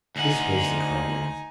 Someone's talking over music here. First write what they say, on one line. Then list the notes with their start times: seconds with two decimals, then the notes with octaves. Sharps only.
This was the climax.
0.16 D2 D#4 F#5 G#5